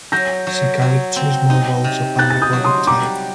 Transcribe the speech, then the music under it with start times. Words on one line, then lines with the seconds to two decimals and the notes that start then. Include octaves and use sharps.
She carried two small boats of unrecorded type.
0.12 F#3 G6 A#6
0.47 F#3
0.82 F#3
1.16 C4
1.50 D#4
1.84 C3
2.19 D#4 F#6 A6
2.30 A6
2.42 D#6 G6
2.53 F#3
2.64 C6 D#6
2.87 G3 A#5 D6